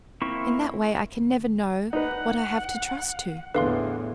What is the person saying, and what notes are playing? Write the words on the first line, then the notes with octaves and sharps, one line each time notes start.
In that way I can never know what I have to trust to.
A#3 C4 E4 C#6
G1
D#4 B4 F#5
E2 A2 D3 B4 F5 C6